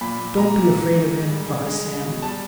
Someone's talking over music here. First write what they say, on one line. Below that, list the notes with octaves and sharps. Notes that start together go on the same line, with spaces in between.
"Don't be afraid of him," advised Sam.
A#2 B5
A#2
A#2 A#5
A#2
G#2
G#2
G#2
G3
G#3
G#3
G#3
B2
G3 A5